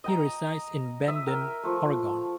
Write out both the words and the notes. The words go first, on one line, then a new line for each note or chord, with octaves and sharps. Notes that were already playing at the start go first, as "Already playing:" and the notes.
He resides in Bandon, Oregon.
D#5 G5 A#5
E5 D#6
A#4 G5
F3 A3